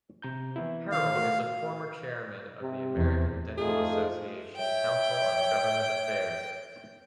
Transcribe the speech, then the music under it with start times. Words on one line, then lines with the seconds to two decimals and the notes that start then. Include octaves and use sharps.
Harrell is a former chairman of the American Dental Association Council on Governmental Affairs.
0.22 C3 A#5 G6
0.56 E3 B3 E4
0.92 D#3 F5
1.15 A3 F#4
2.62 C3
2.96 E2
3.58 F2 A3 D#4 F4 G#4
4.57 C#5 E5 G5